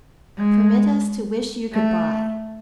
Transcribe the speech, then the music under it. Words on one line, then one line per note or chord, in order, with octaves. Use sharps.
Permit us to wish you good-by.
G#3
A3